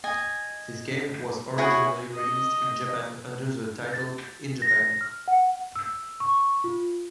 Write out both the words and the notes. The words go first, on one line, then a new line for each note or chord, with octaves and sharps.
This game was originally released in Japan under the title in Japan.
D#5 G#5
E4 F#4 G#4 C#5
D#5
A6
A#6
F6
F#5
E6
C#6
F4